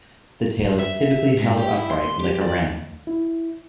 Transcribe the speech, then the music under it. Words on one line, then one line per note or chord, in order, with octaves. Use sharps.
The tail is typically held upright, like a wren.
E5
G#2
G4
E4
C6
G4
D5
E4